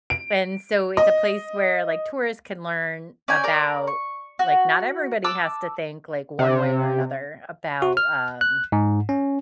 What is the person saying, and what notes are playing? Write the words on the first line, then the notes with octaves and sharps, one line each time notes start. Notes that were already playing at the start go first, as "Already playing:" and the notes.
And so it's a place where, like, tourists can learn about like, not everybody has to think, like, one way or another about, um,
D7
D#5
C#4 D5 G5 G#5
A#4 D5
C#6
F#4
A5 D6 E6 F#6
C3
F#4
F6
F#6
G#2
C#4